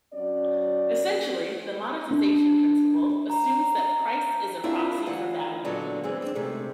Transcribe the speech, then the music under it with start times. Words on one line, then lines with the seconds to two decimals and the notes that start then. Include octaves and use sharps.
Essentially, the monestisation principle assumes that price is a proxy for value.
0.14 F#3 C#4 D5
2.11 D4
3.30 A#5
4.63 C4 D4 E4 F4 A#4 E5
5.06 D2 E3 F4 F#5
5.65 A#2 D3 F#3 B3 D5 D#5
6.04 E3 G#3 B3 C4
6.22 C4 D4
6.35 C3 G#3 A3 D#4